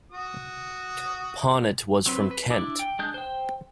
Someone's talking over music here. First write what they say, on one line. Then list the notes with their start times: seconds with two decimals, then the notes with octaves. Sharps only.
Ponet was from Kent.
0.12 F#4 D#6
2.06 F#3 C4 B4
2.31 B4
2.50 D4 E4 D5
2.79 G5
2.99 G#3 D4 G6
3.14 C5 G5